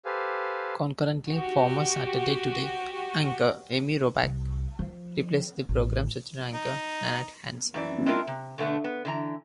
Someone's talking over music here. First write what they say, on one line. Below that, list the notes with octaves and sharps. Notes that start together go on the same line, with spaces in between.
Concurrently, former "Saturday Today" anchor Amy Robach replaced the program's original anchor Nanette Hansen.
G4 A4 B4 C5 F5 G#5
F#4 G4
C2
F3
A1
D#4
F#2 E3 D5
G#3 C4 D4 E4 F4 A#4
C3
B2 D3 A3 B3 D4
B3
D3 E3 A#5